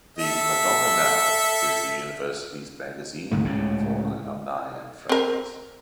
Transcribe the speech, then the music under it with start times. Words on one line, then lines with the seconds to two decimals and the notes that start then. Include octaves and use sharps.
The "Madonna Now" is the university's magazine for alumni and friends.
0.19 A4 E5
3.31 G1 C#2 G#2 A3
3.45 C#2 A2 C#3
5.09 C4 A#4